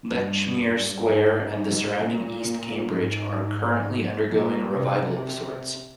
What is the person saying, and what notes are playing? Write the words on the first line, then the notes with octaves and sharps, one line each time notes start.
Lechmere Square and the surrounding East Cambridge are currently undergoing a revival of sorts.
G2
G#2
A#2
G#2
A#2
C3